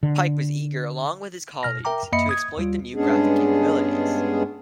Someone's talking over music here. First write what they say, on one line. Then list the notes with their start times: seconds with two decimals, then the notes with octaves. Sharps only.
Pike was eager, along with his colleagues, to exploit the new graphic capabilities.
0.03 D3
1.63 B2 F6 A#6
1.85 A#4 E5 G5 A#5 D6
2.12 F#2 A#3 D#5 E5 B5 C#7
2.29 D#6 G#6
2.57 D#2 G3 F4
2.94 G2 G#3 B3 C#4 D4 G#4